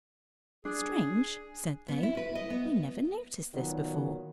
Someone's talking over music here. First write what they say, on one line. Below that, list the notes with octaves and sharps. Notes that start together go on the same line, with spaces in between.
Strange, said they, we never noticed this before.
D4 G#4
B3
E4
B4
D#5
B3
A#2 D#3 F#3 B3